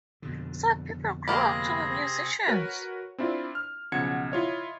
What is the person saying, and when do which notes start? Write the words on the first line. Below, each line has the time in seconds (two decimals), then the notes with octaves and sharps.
Some people grow up to be musicians.
0.22 F2 B2 D3
1.28 C3 G#3 A#3 G4 G#4 B5 A#6
2.47 F#4 A#4 B4 C#5 F#5
3.18 C4 D4 E4 F4 D5
3.55 F6
3.92 B1 C#3 F3 F#5 G#6 C#7
4.32 E4 F4 C#5 D#5